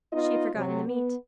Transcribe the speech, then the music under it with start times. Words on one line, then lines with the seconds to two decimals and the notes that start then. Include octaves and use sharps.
She had forgotten the meat.
0.13 B3 D#4 F4 D#5
0.56 C3 F#3
0.87 B3